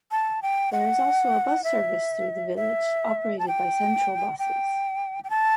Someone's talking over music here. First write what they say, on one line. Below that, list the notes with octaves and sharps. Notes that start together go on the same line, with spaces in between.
There is also a bus service through the village, operated by Central Buses.
A5
G5
F#5
E5
E5
A5
G5
G5
G5
A5